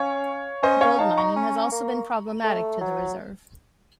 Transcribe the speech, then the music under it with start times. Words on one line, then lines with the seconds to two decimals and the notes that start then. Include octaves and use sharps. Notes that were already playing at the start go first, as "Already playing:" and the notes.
Gold mining has also been problematic to the Reserve.
Already playing: C#4 C#5 F5
0.63 C#4 C5 D#5
0.81 C#5 F5
0.99 D#4 F5 A5
1.17 A#5 C#6
1.36 C#4
1.72 A#3
2.44 A3
2.81 F#3